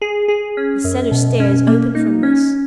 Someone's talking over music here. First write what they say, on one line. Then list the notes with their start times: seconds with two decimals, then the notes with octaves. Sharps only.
The cellar stairs opened from this.
0.02 G#4
0.28 G#4
0.57 C#4
0.84 F#2
1.11 B2
1.40 C#4
1.67 A#3
1.95 D#4
2.23 C#4